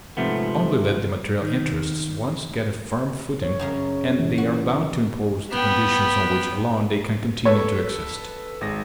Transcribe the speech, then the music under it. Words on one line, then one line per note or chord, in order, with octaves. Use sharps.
Only let the material interests once get a firm footing, and they are bound to impose the conditions on which alone they can continue to exist.
G#2 C3 F3 A3 B3
D#3
C#5
F#2 C#3 A#4
E3
F#4
B3 G5
A4 B4 C#5 D#5
G#1 G#3 A#6